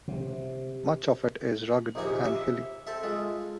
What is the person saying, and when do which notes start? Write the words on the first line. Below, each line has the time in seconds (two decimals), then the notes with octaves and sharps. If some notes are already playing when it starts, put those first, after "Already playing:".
Much of it is rugged and hilly.
0.08 C3
1.95 A#1 D#2 C3 A#3 D#4 G#5
2.24 E5 C#6
2.87 C4 A4 E5
3.03 G#3 F4